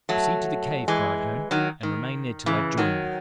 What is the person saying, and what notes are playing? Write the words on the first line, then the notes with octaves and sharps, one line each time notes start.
"Proceed to the cave," cried Herne, "and remain there till I join you."
F#3 A3
E3 G#3
D#3 F#3
D#3
C#3 E3
D#3 F#3